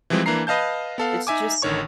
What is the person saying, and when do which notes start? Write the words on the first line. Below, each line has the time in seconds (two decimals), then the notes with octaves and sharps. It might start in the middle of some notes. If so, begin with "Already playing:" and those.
It's just
0.10 E3 F3 G3 G#3 C4
0.26 E3 A#3 D4 A#5 C7
0.47 B4 D#5 F5 A5 G6
0.98 B3 A4 F5
1.27 D#4 E5 G#5 D6
1.62 A1 D3 D#3 C#5 C#6